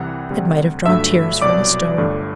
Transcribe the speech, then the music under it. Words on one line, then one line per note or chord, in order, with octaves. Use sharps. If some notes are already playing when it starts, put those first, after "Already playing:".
It might have drawn tears from a stone.
Already playing: C2 C3 E3 G3 F#5
D2 C3 G3
G1 G2 D3 F#3 A3 E5 E6
C2 B2 F#3 D5 D6
G1 G2 D3 A3